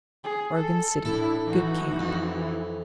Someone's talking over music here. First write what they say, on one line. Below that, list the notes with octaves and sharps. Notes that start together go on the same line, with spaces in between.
Oregon City.--Good camp.
G#4
A4
A2 D4 E4 A4
E3 D#4 F#4
F2